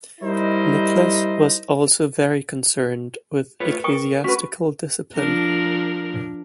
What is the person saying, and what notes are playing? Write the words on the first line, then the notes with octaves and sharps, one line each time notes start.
Nicholas was also very concerned with ecclesiastical discipline.
G3 D#4 E4 A#4 C5 D#5
A3 F4 B4 C#5
A#4 G5 C#6 D#6
C#4 F#4 B4
F3 D4 A#4